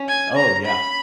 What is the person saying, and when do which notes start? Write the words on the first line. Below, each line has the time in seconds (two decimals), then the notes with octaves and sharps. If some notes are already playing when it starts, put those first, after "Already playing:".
Oh, yeah.
Already playing: C#4
0.09 G#5
0.37 A#5
0.65 B5